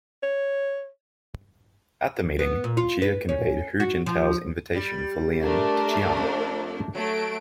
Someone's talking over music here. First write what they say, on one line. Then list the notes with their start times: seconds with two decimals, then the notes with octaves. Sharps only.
At the meeting, Jia conveyed Hu Jintao's invitation for Lien to Chiang.
0.23 C#5
2.39 B3
2.64 A#2
2.77 F4
3.02 B4
3.29 C#4
3.80 F#4
4.06 F3
4.75 G3
5.42 A3 D4 A#4
6.17 F2
6.95 F#3 A3 D7